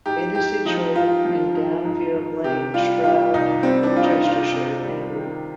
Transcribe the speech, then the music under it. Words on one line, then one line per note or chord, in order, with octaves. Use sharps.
It is situated in Downfield Lane, Stroud, Gloucestershire, England.
G#2 G4
G#2 G4
F3 D#4
G#2 F4
F3
G#2
G#2
G#2
C3 G4
G3 F4
G3 F4
C2 D#4
G3 C4
D4
G3 F4
D#4
C3 F4
C3
G3
D#3